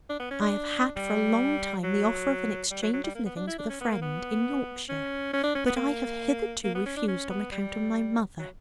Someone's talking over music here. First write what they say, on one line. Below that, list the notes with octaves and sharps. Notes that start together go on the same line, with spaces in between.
I have had for a long time the offer of an exchange of livings with a friend in Yorkshire, but I have hitherto refused on account of my mother.
D4
B3
C#4
D4
G3
F#3
G3
F#3
F#3
G3
A#3
B3
D4
E4
D4
C#4
B3
A#3
B3
C#4
C#4
D4
C#4
B3
A#3
A#3
B3
C#4
D4
C#4
B3
G3
F#3